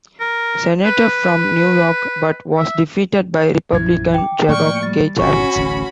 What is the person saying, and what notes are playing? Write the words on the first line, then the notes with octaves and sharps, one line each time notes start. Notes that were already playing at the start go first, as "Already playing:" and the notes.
Senator from New York, but was defeated by Republican Jacob K. Javits.
A#4
B4
E5
A#1 F#2 F3 E4 G#6
G5 D6
A2 F3 A#3 D5 G5 C#6 F6
G3 A6
G1 G2 A#2 C#4 F#4 G#5 B5 C#6
D1 A1 D3